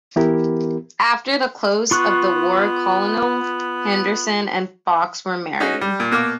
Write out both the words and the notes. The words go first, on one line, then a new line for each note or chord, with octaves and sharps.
After the close of the war Colonel Henderson and Fox were married.
E3 B3 E4 G4 A#4
B3 F4 C#6 F#6
C#4 D#4 F#4 G#4
G3
A#2
B2 A#3 F5 D6